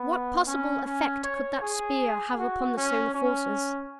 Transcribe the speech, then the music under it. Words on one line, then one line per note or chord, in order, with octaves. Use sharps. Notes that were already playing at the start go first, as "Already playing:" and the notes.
What possible effect could that spear have upon the solar forces?
Already playing: B3
C#4
C#4
C#5
G#4
F#4
C#4
C#4